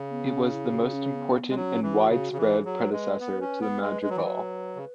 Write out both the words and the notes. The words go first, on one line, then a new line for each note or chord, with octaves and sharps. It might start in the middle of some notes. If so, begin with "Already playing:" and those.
It was the most important and widespread predecessor to the madrigal.
Already playing: C#3
B3
C#4
E4
F#4
C#4
B3
B3
G#3
F#3 C#4
E3
F#4
C#3
C#3
E3 G#4
F#3
B4
G#3
B3
C#4
B3
G#3
G#3
F#3
E3
F#3
C#3